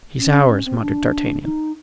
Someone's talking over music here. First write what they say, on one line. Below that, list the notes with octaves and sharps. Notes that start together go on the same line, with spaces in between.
"He's ours," muttered D'Artagnan.
C#4
C#4
C4
D4
D#4